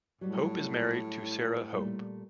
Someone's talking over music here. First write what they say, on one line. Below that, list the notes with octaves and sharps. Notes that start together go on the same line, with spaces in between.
Hope is married to Sarah Hope.
A2 F#3 G3
A#2 G3 A3